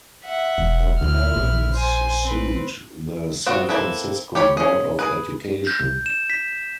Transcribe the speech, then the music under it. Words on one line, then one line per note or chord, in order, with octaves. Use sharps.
Her parents sued the San Francisco Board of Education.
E5 F#5
E1
D2 E4 F6
A#1
C5 G#5
C4 B4
B3 C4 F4 F#4
A#3 C4 E4 A4 B4
G4 C#5 B5
C#4 G#4
G#4 B4
G6
E7
B6